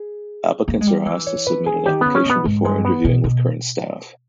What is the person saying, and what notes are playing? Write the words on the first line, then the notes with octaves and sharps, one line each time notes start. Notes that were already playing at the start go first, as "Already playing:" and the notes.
Applicants are asked to submit an application before interviewing with current staff.
Already playing: G#4
A#3
G#3
G3
E3
C#5
B4
G#4
D#3 G4
C#3 B3
C#4
B2 B3
G#2
G2 G#3
B3
B2
B2